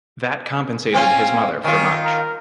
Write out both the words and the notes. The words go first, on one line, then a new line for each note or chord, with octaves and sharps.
That compensated his mother for much.
C4 C#4 F4 G#5
D#3 C#4 F4
A#4